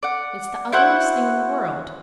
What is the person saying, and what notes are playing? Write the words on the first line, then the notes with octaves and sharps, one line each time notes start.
It's the ugliest thing in the world.
D5 F#5
E4 F#4 C5 F#5